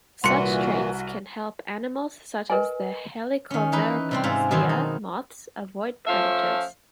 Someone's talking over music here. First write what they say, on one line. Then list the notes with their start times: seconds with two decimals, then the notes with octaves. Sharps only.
Such traits can help animals such as the "Helicoverpa zea" moths avoid predators.
0.24 C2 A#2 E3 F#4 C6 C#7
2.50 A#4 B4 D#5 G#5
3.51 D#3 C#4
3.72 E3 D#4 B4
4.11 C3 G3 C4
4.24 G#2 F4 E5
4.51 B2 D#3 E3 F#3 C4
4.69 D#4
6.07 F3 A3 C#4 F4 E5 F5